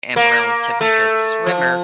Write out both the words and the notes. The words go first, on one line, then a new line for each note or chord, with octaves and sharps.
am relatively good swimmer,
A#3
A3
F3